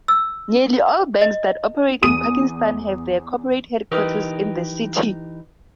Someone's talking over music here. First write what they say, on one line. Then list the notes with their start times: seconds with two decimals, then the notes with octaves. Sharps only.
Nearly all banks that operate in Pakistan have their corporate headquarters in the city.
0.08 E6
1.21 D#5
2.02 E2 D#6 D#7
3.92 E3 D#4 G4 A#4 B4 D#6